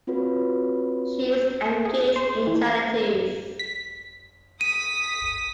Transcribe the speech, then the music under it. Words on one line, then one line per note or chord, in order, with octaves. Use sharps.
She is engaged in charities.
C4 F4 F#4 G#4 B4 C#5
G#4
C5
E3
B6
D#6 B6 D#7